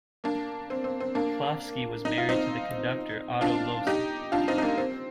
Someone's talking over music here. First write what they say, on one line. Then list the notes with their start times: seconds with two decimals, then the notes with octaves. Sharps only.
Klafsky was married to the conductor Otto Lohse.
0.24 A#3 D4
0.70 C4
0.84 C4
1.00 C4
1.15 A#3 D4
2.05 D#4
2.18 F4
2.29 C4 D#4
3.41 D4 F4
3.87 D#4 G4
4.32 D4 F4
4.48 C4 D#4
4.58 D#4
4.62 A#3 D4
4.78 C4